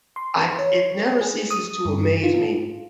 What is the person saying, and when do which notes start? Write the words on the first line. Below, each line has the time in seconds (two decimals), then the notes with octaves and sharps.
I it never ceases to amaze me
0.16 C6
0.59 C#5
1.21 G#4
1.51 D#6
1.85 G2
2.23 F4